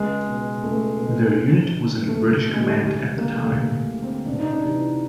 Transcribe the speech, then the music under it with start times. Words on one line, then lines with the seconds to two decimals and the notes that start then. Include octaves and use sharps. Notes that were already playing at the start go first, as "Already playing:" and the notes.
Their unit was under British command at the time.
Already playing: C#2 G#3
0.27 B2
0.63 C#2 A3
1.00 B2
1.36 G2
1.71 D3
2.09 G2 A3
2.45 D3 A3
2.53 G#3
2.61 G3
2.69 G#3
2.81 D2 G3
3.00 G#3
3.17 D3 A#3
3.36 A3
3.53 D2 A3
3.90 D3
4.03 C4
4.26 C#2 D4
4.40 D#4
4.53 D4
4.63 C3 E3